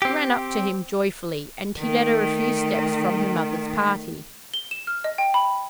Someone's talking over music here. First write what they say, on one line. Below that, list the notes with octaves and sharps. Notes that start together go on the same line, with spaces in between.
She ran up to him joyfully, and he led her a few steps from her mother's party.
C4 G4
D#3 A3
G7
E7
F6
D#5
G5
B5